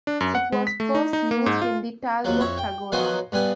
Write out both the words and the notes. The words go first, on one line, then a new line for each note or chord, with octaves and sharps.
It was first used in the Talbot Tagora.
D4
F#2
F#5
G#3
B6
A3
D#4
D#4
A#3
G#2
F4
D#2 F3 F#3
F2 E4 C#5
G5
D#3 F3 F#3 B3 C5 G#5
G2 G3 B3 G#5